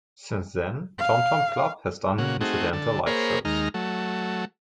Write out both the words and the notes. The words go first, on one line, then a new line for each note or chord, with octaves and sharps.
Since then, Tom Tom Club has done incidental live shows.
F5
A#2 C#3 F#4
A3 C4 D#4 F#4 G#4
D3 A4
A#3 G#4 A#4 C5 C#5 B5
D#2 G#3 D#4 A#5 F6
F#3 A3